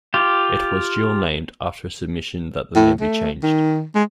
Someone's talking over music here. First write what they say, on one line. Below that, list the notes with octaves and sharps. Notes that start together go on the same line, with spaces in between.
It was dual-named after a submission that the name be changed.
F4 G4
A2
A3
D#3
G#3